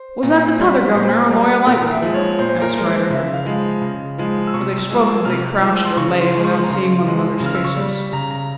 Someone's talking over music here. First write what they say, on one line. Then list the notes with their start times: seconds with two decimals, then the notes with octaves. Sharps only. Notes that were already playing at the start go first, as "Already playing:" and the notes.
'Was that the T'other Governor, or Lawyer Lightwood?' asked Riderhood. For, they spoke as they crouched or lay, without seeing one another's faces.
Already playing: C5
0.23 A#2
0.59 G3
0.95 A#2 C5
1.30 G3
1.66 A#2 A#4
1.91 E5
2.02 F3 G#3
2.14 C#5
2.39 A#2 C5
2.62 A#4
2.74 F3 G#3
2.86 C5
3.10 C#3 E5
3.33 F5
3.45 F3 G#3
3.81 C#3
4.18 F3 G#3
4.47 E6
4.54 C3 C#6
4.78 E6
4.90 F3 G#3
5.01 E6
5.25 C3 F6
5.61 F3 G#3 E6
5.85 C6
5.97 C#3 C#6
6.20 C6
6.33 F3 G#3
6.45 C#6
6.53 C6
6.63 A#5
6.69 C#3 C6
7.04 F3 G#3
7.40 C#3
7.46 F6
7.54 E6
7.65 C#6
7.77 G3
8.13 C#3 A#5
8.31 A#5